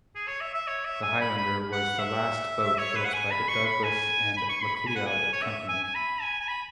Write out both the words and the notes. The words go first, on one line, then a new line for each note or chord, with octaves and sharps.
The "Highlander" was the last boat built by the Douglass and McLeod company.
G#4
C#5
E5
E5
C#5
E5
G#5
B5
B5
F#5
E5
C#5
B4
F#5
G#5
B5
C#6
B5
G#5
B5
C#6
B5
B5
G#5
F#5
G#5
C#5
E5
G#5
G#5
B5
G#5
G#5
B5